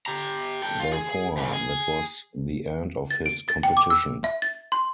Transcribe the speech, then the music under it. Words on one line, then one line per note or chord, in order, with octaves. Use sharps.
Therefore, that was the end of his competition.
G4 A#5
A4 G5
F4
G#4
D#2 C#3
G#4
A6
D7
A6
G5
D6
E6
E5
A6
C6